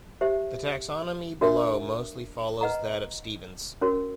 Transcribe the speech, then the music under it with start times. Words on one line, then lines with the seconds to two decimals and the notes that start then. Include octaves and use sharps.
The taxonomy below mostly follows that of Stevens.
0.21 G4 C5 E5
1.41 D4 F#4 A#4 C#5 E5
2.61 B4 D#5 F#5 A#5
3.81 C#4 F#4 A#4 C#5